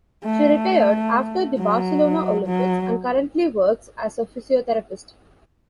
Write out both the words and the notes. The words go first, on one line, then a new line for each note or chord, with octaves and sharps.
She retired after the Barcelona Olympics and currently works as a physiotherapist.
A3
F#3
F#3